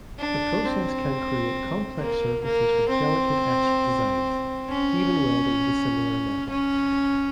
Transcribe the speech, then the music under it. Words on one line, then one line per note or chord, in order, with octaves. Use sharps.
The process can create complex surfaces with delicate etched designs, even welding dissimilar metals.
D4
C4
A#3
A#3
C4
C#4
C#4